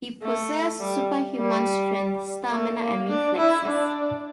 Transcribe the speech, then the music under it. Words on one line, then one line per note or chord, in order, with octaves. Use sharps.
He possessed superhuman strength, stamina, and reflexes.
A3
G3
G3
A3
A#3
D4
E4
D4